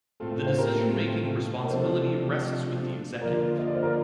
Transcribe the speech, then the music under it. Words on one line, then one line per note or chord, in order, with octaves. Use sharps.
The decision-making responsibility rests with the executive.
A2 A3 C4 F4 A4
C5
G4 A#4
A#4
C3 F3 A3 D4 A4 C5
D3 F3 A#3 F4 A#4 D5
D#5
D5
C5
A#4 D5